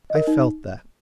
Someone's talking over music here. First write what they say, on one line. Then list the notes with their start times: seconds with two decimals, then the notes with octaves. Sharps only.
I felt that.
0.10 D#5
0.15 A#4
0.27 D#4